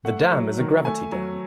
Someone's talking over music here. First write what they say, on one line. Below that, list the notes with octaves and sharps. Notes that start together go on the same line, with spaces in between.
The dam is a gravity dam.
A3 F#5
F#3
D#3
A3 G#5
F#3